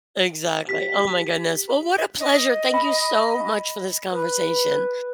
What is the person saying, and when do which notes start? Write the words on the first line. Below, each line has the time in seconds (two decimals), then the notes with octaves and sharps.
Exactly. Oh my goodness. Well, what a pleasure, thank you so much for this conversation.
0.69 G4 B6
2.20 D#5
2.74 B5
4.12 B4